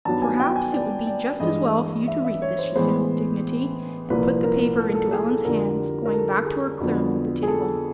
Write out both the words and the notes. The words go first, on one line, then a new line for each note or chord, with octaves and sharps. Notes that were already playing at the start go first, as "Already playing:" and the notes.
"Perhaps it would be just as well for you to read this," she said with dignity, and put the paper into Ellen's hands, going back to her clearing of the table.
G2 D#3 F#3 B3 A5
G#5
G5
G#5
D5
D5
G2 E3 G#3 D#5
E5
E5
C#5
C5
A2 E3 G#3 B3 C5
C2 A#2 F3 A#3 B4
A#4
A4
A4
G#4
A4
F2 D3 G3 A#4
A#4
A4
G#4
F2 D3 F#3 B3
G#4
A4